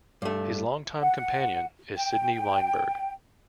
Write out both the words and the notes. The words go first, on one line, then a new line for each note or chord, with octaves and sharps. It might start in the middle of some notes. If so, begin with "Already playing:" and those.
His longtime companion is Sydney Weinberg.
G2 A3
F#5
G5